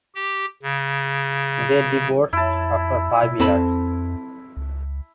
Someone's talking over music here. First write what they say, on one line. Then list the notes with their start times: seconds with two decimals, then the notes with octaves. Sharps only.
They divorced after five years.
0.15 G4
0.63 C#3
2.33 F2 E4 A5
3.23 B2
3.40 F2 C4 A4 B5
4.57 C#2